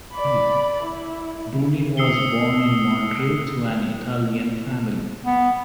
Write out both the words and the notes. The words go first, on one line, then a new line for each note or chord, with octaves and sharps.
Bruni was born in Montreal to an Italian family.
D5 B5
E4
D#6 E6 C7 C#7 G7
B3